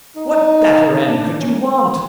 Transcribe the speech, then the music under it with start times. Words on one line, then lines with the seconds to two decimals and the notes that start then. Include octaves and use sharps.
What better end could you want?
0.16 D#4
0.31 D#4
1.06 D4
1.17 D4
1.40 C#4